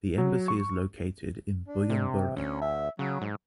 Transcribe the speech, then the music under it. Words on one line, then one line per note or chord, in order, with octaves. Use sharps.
The Embassy is located in Bujumbura.
F#3
C#6
D4
C3
D2 C#4
E5
C#3 F#3
G#2